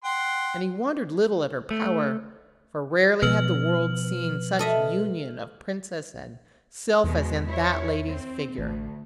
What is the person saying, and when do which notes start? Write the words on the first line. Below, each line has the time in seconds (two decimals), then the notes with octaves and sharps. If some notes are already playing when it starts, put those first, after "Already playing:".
And he wondered little at her power, for rarely had the world seen such union of princess and sylph as in that lady's figure.
0.04 F#5 G5 C6
1.71 A3
3.22 B2 F3 B4 F6 F#7
4.59 A4 D#5 E5
7.04 E2 B2 G#3
7.44 E4 C#5
8.08 C4
8.58 A1 D2